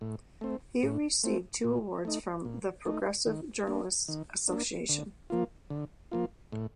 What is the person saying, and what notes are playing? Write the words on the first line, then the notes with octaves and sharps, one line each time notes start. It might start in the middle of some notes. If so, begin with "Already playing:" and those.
He received two awards from the Progressive Journalists Association.
A2
A3 C4
A2
A3 C4
A#2
A3 D#4
A#2
A3 D#4
D#3
A#3 D4
D#3
A#3 D4
D3
F3 A#3 F4
D3
F3 A#3 F4
A2